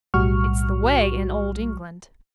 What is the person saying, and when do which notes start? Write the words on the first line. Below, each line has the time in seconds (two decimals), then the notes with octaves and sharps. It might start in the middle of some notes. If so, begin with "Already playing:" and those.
It's the way in Old England.
0.14 B1 A2 G3 F#4 C#6 F6